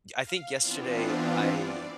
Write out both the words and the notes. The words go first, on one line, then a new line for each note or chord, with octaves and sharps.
I think yesterday, I
F5
E3 B3 C4 D4 F4
D5